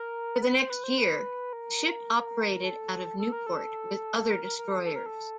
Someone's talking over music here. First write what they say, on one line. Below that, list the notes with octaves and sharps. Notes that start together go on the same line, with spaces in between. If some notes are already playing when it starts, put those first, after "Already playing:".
For the next year, the ship operated out of Newport with other destroyers.
Already playing: A#4
B4
C5
B4
C5
B4
A#4
A4
A4
A#4
A4
A#4
A#4
A#4
A4
A4
A#4
A4